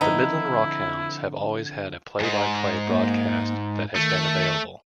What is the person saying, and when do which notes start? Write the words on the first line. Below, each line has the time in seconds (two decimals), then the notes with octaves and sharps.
The Midland Rockhounds have always had a play-by-play broadcast that has been available.
0.01 D3 F3 B3 C4 D#4 E4
2.20 F2 G#2
2.88 A#3
3.96 D#3 A3